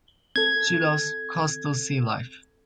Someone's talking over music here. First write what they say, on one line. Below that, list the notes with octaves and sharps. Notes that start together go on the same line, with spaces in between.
She loves coastal sea life.
C4 A4 G#6